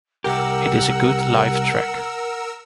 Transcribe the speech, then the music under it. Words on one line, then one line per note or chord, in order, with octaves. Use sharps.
It is a good live track.
C2 G4 A#4 F#5 E6